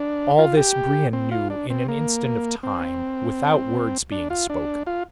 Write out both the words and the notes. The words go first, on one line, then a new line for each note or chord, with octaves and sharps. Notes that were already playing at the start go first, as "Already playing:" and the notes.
All this Brion knew in an instant of time, without words being spoken.
Already playing: D4
F4
G4
C4
F4
D4
C4
A#3
C4
D4
F4
D4
F4